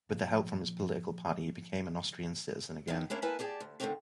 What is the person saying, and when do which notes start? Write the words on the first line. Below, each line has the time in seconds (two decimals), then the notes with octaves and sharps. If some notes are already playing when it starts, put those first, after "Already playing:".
With help from his political party, he became an Austrian citizen again.
0.09 A#2 F3
2.87 B2 D#3 F#3 D#4
3.10 A#3 C#4 D4 E4
3.22 A#3 B3 E4 B4 G#5 A5
3.39 G4 G#4 D5 A5
3.60 D2
3.80 D3 D#3 G#3 A3 C4 D4